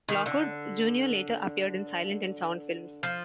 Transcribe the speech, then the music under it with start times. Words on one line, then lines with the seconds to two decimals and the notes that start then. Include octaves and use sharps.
Lockwood, Junior later appeared in silent and sound films.
0.08 D#3
0.26 D3
3.03 F3